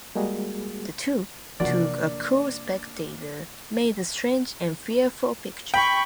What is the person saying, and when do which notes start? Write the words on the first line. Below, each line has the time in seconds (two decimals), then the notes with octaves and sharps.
The two, to a cool spectator, made a strange and fearful picture.
0.15 G3 G#3 A#3 F#4 G#4
1.60 C3 E3 F3 A#3 D4 E4 F#4 D5
5.74 G5 B5 C#6